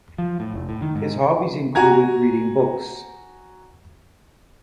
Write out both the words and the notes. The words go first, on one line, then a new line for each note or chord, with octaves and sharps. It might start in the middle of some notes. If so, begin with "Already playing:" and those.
His hobbies included reading books.
F3
A2
F1
A2
D#3
G#2
F#4 G#5 A#5 G#6